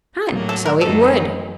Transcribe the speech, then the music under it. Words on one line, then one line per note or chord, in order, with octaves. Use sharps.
And so it would.
A2 F#3 A#3
A4
A#4
F#2 F#3 A3 D#4 A4